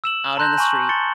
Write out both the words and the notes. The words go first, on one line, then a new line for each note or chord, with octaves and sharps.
out in the street,
E6 E7 F#7
A5 A#5 C6 F#6 G6 A#6
G#5 C#6 F#7
C6 A6 C#7 G7